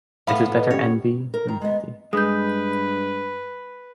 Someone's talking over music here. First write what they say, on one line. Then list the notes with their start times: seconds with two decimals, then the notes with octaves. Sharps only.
It is better envy than pity.
0.27 A2 B3 E5 F5 B5
0.57 B4 D#5
0.71 C#4 G4 C#5
1.34 A#4
1.48 D#3 A#5
1.62 G#3 B3 D#5
2.13 G2 G#3 B4 D#6 G6